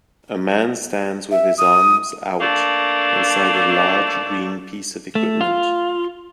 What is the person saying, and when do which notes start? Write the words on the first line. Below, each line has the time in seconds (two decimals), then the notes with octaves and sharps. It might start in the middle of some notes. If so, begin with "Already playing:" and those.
A man stands with his arms out inside a large green piece of equipment.
1.31 E5
1.58 D#6
2.40 A3 A#3 D4
5.15 A3
5.41 F4